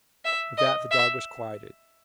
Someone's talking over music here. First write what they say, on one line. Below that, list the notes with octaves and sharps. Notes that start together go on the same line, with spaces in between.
With that the dog was quieted.
E5
D#5
E5